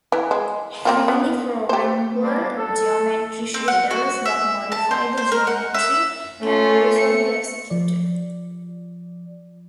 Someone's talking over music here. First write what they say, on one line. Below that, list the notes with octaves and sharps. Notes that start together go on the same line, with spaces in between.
Freely programmable geometry shaders that modify the geometry can also be executed.
E3
G#3
A#3 C4 F4
B3
G4 C5
G3 A#3 B3 D4 D5
A4
C4
F#5
F#4
E5
A5
C5
C5
A#4
F#5
E5
A3 C#4 F4
C#7
F3 D5